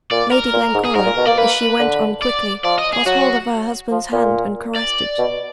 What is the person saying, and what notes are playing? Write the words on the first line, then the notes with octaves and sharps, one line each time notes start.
Lady Glencora, as she went on quickly, got hold of her husband's hand, and caressed it.
A#2 D5
A#4
A#2
G#2
G#4
G#2 A#4
A#2
B2
A#3 D5
A#3 B4
D3
D5
F3 D5
D#5
G#4
F#3 F#4
F3
A#2
D5
B2